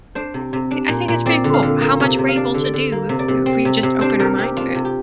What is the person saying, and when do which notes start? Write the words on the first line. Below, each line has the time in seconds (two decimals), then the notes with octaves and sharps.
I think I think it's pretty cool how much we're able to do if if we just open our mind to it.
0.15 D4 C5
0.34 C3
0.53 C3
0.71 D4
0.89 A#2
1.08 A#2
1.26 C4 D5
1.44 D3
1.54 F5
1.62 D3
1.81 A#3
2.00 C3
2.18 C3
2.28 F5
2.36 D4 D5
2.54 D3
2.64 D5
2.74 D3
2.92 A#3
3.09 C3
3.19 D5
3.28 C3
3.46 C4
3.65 C3
3.83 C3
4.01 D4 C5
4.20 C3 A#4
4.38 C3 G4
4.57 D4 F4
4.75 C3
4.85 G4